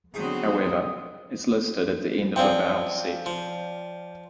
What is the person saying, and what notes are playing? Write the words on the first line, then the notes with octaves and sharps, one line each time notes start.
However, it is listed at the end of the vowel set.
D3 F#3 B3 C4 D#4 G#4 G5 D#6
F3 C4 G#4 D5 F5 G5
F3